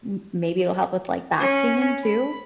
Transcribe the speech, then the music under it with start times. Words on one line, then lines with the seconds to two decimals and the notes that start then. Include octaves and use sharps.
M maybe it'll help with, like, back pain, too?
1.40 C#4
2.04 B5